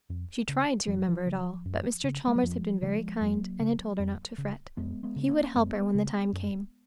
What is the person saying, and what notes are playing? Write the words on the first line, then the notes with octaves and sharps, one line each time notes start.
She tried to remember it all; but Mr. Chalmers had been very kind and had told her not to fret. He would help her when the time came.
F2
C#3
F#2 F3
F#3
F3
C#3
F#2
C#3
G#3
F#3
F2 F3
C#3 F3 G#3
F2 F#3 A#3
C#3
F2
C#3
F2 G#3 B3
G#3 B3
C#3
A#3 C#4
F#2 G#3 B3
C#3
F#2